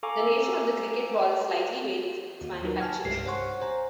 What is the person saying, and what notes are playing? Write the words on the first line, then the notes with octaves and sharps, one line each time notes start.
The nature of the cricket ball slightly varies with its manufacturer.
A4 F5 G#5 A#5 C#6 D6
D#2 F#4
F#3 D#4 F4 F#4 A#4 B4
G#5 A5 F6 G#6
C2 G2 G#3 G4 C7
C5 C#5 F#5 C6 C#6
C5 G#5 A#5